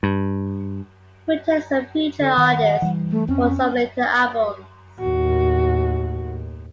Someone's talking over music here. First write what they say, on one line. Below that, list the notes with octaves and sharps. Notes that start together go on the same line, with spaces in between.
He returned as a featured artist for some later albums.
G2
D3
D#3 F#5
E3 G3
A3
F2 C4 C#4
D#2 A2 F#4